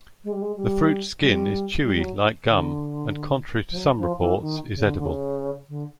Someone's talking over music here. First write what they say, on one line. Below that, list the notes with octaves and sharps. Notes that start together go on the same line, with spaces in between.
The fruit skin is chewy like gum, and contrary to some reports, is edible.
G#3
G3
G#3
G3
G3
G3
G3
F#3
D3
F3
F#3
F3
E3
D#3
C#3
D3
D3
C#3
D3